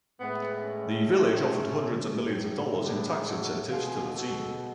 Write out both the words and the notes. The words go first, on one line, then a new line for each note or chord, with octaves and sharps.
The village offered hundreds of millions of dollars in tax incentives to the team.
A2 G#3 B3
A3 C#4
A2 G#3
B3 D4
F#4 A4
B2 G#3 F4 G#4
F#4 A4